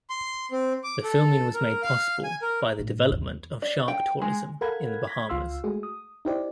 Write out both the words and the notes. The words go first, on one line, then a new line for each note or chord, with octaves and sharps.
The filming was made possible by the development of shark tourism in the Bahamas.
C6
C4
D6
A4
A#4
F5
G#5
A#4
A2
D#2
D5
G5
G#3
A4 A#4 F5 F#5 B5 G#6
G#6 A#6 B6
C#2 F4 F5 C6 E6
G#3 A3 F#4 G#4
D#6
D#4 E4 G4 C5 D5